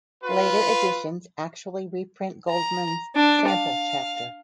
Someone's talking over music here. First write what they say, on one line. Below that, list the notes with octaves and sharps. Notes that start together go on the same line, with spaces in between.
Later editions actually reprint Goldman's "sample chapter".
F4 B4
A#5
D4
F5